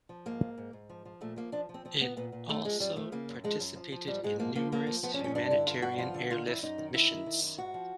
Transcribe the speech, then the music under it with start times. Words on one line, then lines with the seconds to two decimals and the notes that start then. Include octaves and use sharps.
It also participated in numerous humanitarian airlift missions.
0.09 F3
0.26 G#2 A#3
0.41 G#2
0.58 G#2
0.73 G#2
0.89 F3
1.05 F3
1.21 A#2 A3
1.36 F3 A#3
1.52 F3 D4
1.69 F3
1.74 C4
1.85 F3 C4
2.00 A#2 B3
2.17 A#2 B3
2.32 A#2
2.49 F#2 A3
2.65 F3 G#3
2.80 F#2 G3
2.96 F3 A3
3.12 C#3 A#3
3.29 F#2
3.44 F3 G#3
3.60 F#2
3.76 F3
3.92 F3
4.07 G#2 G3
4.23 G#2 G#3
4.39 F3 A#3
4.55 F3 A#3
4.72 F3 A#3
4.87 F3
5.03 F3 B3
5.14 C#4
5.19 G2
5.24 C#4
5.35 G2 D4
5.50 D3 E4
5.67 G2 F4
5.82 G2 F#4
5.98 F3 F4
6.14 D3
6.30 D#3 F4
6.46 F#2 E4
6.63 F#2 D#4
6.78 D#3
6.94 D#3 E4
7.11 D#3
7.26 D#3
7.42 F#2
7.58 G#2 F#4
7.74 F3